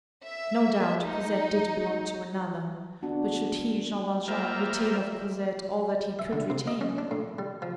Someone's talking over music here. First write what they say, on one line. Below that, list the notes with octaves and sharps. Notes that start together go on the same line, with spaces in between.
No doubt, Cosette did belong to another; but should he, Jean Valjean, retain of Cosette all that he could retain?
E5
D#4
B3 D4 F#4
G3 A#3 F4 A#4 C5 E5
E5
D3
C3
D#5
C#4
D4
A2
G3
F3